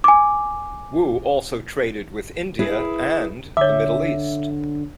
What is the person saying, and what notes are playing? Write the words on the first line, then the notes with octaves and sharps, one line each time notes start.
Wu also traded with India and the Middle East.
G#5 D6
E4 G#4 A#4 B4
D3 C#5 E5 D6